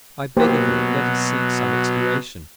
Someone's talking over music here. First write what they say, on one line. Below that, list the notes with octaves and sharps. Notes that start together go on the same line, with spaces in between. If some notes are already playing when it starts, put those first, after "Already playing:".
I beg of you let us seek some expiation.
B2 F#3 A#3 G4 C5